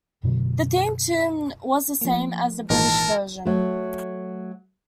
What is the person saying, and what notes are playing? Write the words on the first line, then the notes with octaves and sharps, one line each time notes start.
The theme tune was the same as the British version.
F#2 B2 D3 F#3
F3 A#3
G#1 A#2 E3 D#4 A#4 A5
F#3 A3